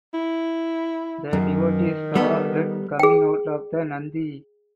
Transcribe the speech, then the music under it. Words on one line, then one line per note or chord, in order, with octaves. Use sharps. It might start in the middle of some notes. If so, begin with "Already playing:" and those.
The devotees saw blood coming out of the Nandhi.
E4
F#2 D#3
G3 B3 A4
G#4 G5